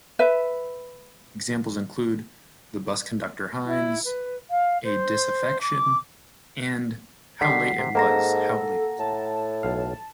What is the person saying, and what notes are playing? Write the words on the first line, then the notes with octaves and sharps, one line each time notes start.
Examples include "The Busconductor Hines", "A Disaffection" and "How Late It Was, How Late".
B4 E5
E4
B4
F5
C5
D6
D3 D#3 G3 F#5 B6 C7
C3
G#2 A#3 A4 F#5 A#5 A#6
A2 A5
B1 F5